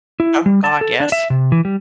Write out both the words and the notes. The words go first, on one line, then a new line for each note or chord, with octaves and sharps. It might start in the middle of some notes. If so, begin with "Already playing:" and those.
Oh god, yes.
E4
G3
A5
A4
D4
E5
C3
E3
G3